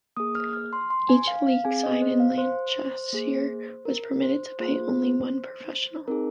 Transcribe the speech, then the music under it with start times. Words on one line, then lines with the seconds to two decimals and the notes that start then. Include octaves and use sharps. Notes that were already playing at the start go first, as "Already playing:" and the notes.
Each League side in Lancashire was permitted to pay only one professional.
0.17 A#3 G#4 D#6
0.35 F6
0.53 F6
0.73 C6
0.90 C6
1.09 G#5
1.27 F5
1.47 F5
1.65 C4 G#4 G#5
1.83 D#5
2.02 C5
2.20 F5
2.38 C5
3.13 A#3 G#4
3.85 A#4
4.22 C5
4.60 A#3 F4 G#4 C5
6.08 C4 D#4 G#4 A#4